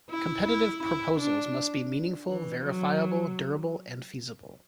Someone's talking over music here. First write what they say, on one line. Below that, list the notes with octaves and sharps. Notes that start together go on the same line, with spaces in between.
Competitive proposals must be meaningful, verifiable, durable and feasible.
E4
E4
E4
D4
E3
F#3